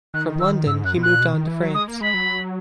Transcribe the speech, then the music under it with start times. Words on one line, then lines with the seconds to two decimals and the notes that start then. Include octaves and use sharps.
From London he moved on to France.
0.14 D#3 F#6
0.40 E6
0.66 G#2 E6
0.84 F#2 F#6
0.97 B2
1.03 A#2 F#6
1.21 B2
1.34 D#3
1.47 E3
1.61 F#3
1.74 G#3 D#6
1.88 A#3
2.01 G#3 B5
2.14 F#3